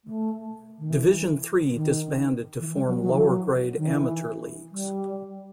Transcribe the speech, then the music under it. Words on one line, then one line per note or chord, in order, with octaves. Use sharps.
Division Three disbanded to form lower grade Amateur Leagues.
A3
D#3
E3
D#3
E3
G3
F#3
F#3
E3
F#3
D#3
E3
G3